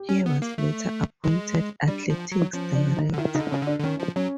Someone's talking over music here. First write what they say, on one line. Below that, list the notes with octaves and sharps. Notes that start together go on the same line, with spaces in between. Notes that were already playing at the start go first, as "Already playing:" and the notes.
He was later appointed athletics director.
Already playing: G4
C#4
B3
A#3
A3
G#3
G3 D4
F3
F#3
F3 C#4
D4
D#4
D3
D#3 E4
C#3 D#4
D3
C#3 C#4
D3
D4
D3
D#3 C#4
F3
F#3 C#4